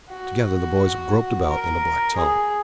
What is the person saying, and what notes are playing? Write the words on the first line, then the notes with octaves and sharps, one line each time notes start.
Together the boys groped about in the black tunnel.
F#4
A#4
G#4